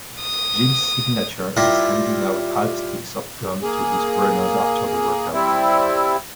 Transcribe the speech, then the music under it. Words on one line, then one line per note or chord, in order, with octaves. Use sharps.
Jim's signature is handing out half-sticks of gum to his runners after the workout.
D#6
G3 E4 F4 G4 A#4
A#3 G#4
G3 C4 E4